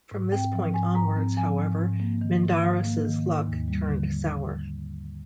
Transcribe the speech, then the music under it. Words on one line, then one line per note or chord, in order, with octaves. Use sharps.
From this point onwards, however, Mindarus' luck turned sour.
G#2
C4 G5
F3
G#2 G#5
G#2 A#5
C4
F3 G#5
G#2
G#2
A#3
D#3
G#2
G#2 F5
A#3
D#3
G#2
D#2
G3
D3